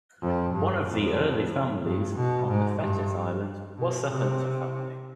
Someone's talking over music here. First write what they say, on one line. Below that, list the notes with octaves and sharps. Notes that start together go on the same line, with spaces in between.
One of the early families on Thetis Island was the Hunter family.
F2
G2
F2
G2
B2
G#2
G2
B2
C3